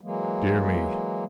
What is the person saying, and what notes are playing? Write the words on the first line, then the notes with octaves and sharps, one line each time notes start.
Dear me!
E3 F#3 G#3 A#3